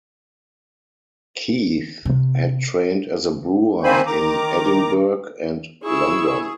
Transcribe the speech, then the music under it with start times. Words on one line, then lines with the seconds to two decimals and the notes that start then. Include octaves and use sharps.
Keith had trained as a brewer in Edinburgh and London.
2.05 C3
3.84 D#3 A#3 C4 C5 G#5 B5
4.07 D#3 A#5 D6
5.83 E4 G#4 C#6 E6